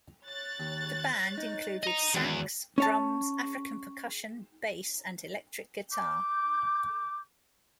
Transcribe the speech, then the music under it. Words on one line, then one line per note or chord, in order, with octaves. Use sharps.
The band included sax, drums, African percussion, bass and electric guitar.
C#5 F#6 A6
D#2
D#4
D#5 A#5
E2 G#2 D#3 F#3 F#6
C#4 C#5 A5
D6 G6